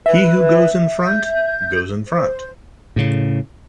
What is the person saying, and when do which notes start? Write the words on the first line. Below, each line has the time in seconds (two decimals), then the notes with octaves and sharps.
He who goes in front, goes in front.
0.06 B4 E5
1.06 G6
2.07 C5
2.96 A2 C#3